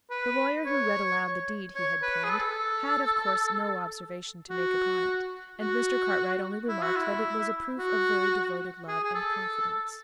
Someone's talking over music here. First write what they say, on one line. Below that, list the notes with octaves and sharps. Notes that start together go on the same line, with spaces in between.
The lawyer who read aloud the deed he had penned, had of course no observation to make upon it, and Mr. Cartwright only remarked that it was a proof of very devoted love and confidence.
B4
C#5
C#5
B4
G#4
A4
F#4
F#4
E4
F#4
E4
F#4
G#4
G#4
A4